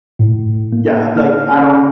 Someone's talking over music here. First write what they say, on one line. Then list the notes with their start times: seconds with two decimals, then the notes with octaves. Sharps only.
yeah, like, I don't
0.19 A2
0.72 A#3
1.17 F6
1.51 C#4